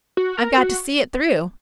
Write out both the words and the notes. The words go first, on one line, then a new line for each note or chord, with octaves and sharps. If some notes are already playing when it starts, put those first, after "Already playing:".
I've got to see it through.
F#4
A#4
F#4